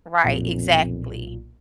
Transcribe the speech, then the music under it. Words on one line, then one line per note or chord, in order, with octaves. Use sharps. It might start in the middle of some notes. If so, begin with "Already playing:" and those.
right, exactly.
B1 F2 A#2